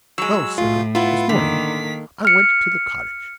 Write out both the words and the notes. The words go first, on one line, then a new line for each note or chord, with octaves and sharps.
Well, sir, this morning I went to the cottage.
F#3 G#3 E6
A2 F4
B3 E4 F4
D3 D#3 A#3 B6
F6 C#7